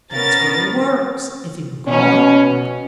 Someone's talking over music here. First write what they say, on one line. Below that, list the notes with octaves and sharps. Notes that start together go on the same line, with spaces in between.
That's where he works--if you can call it work.
B3 C#4 A#4 A6
B2 C#4